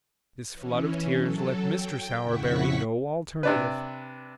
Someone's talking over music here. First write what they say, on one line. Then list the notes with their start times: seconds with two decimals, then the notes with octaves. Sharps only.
This flood of tears left Mr. Sowerberry no alternative.
0.53 E3 C#4
1.19 F#3 A4
1.65 G5
2.22 F2 C#3 E4 F#5 C#6 B6
3.43 C3 D4 B4